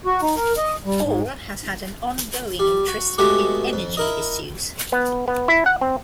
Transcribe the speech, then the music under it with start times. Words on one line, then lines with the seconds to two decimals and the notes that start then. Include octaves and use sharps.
Hall has had an ongoing interest in energy issues.
0.05 F#4
0.22 D#4
0.37 A#4
0.57 D#5
0.85 G3
1.01 G#2
2.59 G3
2.88 F#4
3.18 B2 G#3 A3 B3 F#4 G4
3.73 F2
3.97 E4 A#4 D#5
4.92 B3
5.28 B3
5.48 E4
5.66 F#5
5.81 C4